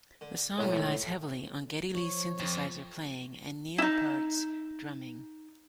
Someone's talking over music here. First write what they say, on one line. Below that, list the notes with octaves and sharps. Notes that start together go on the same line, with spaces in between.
The song relies heavily on Geddy Lee's synthesizer playing and Neil Peart's drumming.
D3
B1 A2 G#3 B3 C#5
F3 C#5
F2
D#4 E4